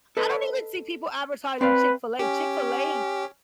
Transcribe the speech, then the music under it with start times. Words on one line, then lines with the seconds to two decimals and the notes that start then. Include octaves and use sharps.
I don't even see people advertising Chick-fil-A. Chick-fil-A,
0.17 A4 B4 D#5
1.61 C4 B4 D5 F5
2.19 C#4 G4